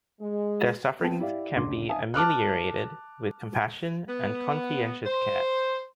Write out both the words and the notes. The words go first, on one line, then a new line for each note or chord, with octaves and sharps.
Their sufferings can be ameliorated with compassion and conscientious care.
G#3
B3 C4 G5 A5
E4 G4 D5 E5 F5
F#1 D2 C6 D6
E5 F5 G#5 A5 D#6
A5 D6 F6 F#6
B3
C5